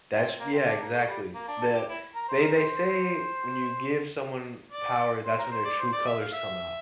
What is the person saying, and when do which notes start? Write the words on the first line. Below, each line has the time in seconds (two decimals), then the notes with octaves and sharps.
That's yeah, exactly. The they they say when you give someone power, that's when their true colors come out.
0.13 C4
0.40 A#3
0.53 C4
0.66 D4
0.81 A#3
0.93 A3
1.07 G3
1.34 A#3
1.48 D4
1.61 A4
1.74 G4
1.89 E4
2.15 A#4
2.28 C5
2.41 A#4
2.55 C5
4.71 D5
5.26 C5
5.39 A#4
5.51 C5
5.65 D5
5.79 C5
5.92 D5
6.06 E5
6.20 F5
6.33 E5